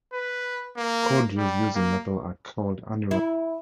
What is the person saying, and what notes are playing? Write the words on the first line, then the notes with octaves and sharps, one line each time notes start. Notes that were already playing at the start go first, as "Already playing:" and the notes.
Core drills used in metal are called annular cutters.
B4
A#3
G3
A#3
E4